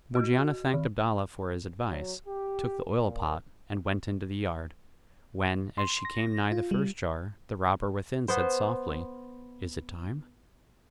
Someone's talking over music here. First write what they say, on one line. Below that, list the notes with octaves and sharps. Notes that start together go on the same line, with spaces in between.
Morgiana thanked Abdalla for his advice, took the oil-pot, and went into the yard; when, as she came nigh the first jar, the robber within said softly, "Is it time?"
F#4
D#3
F#3
G4
A#2
C6
A#6
F4
G3
B3 C5